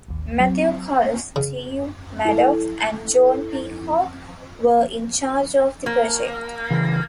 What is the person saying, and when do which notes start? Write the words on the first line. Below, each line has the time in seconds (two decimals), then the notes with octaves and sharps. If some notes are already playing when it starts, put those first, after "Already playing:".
Matthew Colless, Steve Maddox and John Peacock were in charge of the project.
0.08 A1 D#2
0.40 F#3 C4
1.36 C#3
2.25 E4 A4
5.86 A#3
6.70 C#3 E3